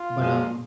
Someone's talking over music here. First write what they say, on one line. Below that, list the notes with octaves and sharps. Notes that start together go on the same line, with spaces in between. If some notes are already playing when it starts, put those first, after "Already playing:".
but, um
Already playing: F4
F#2 F3 G#3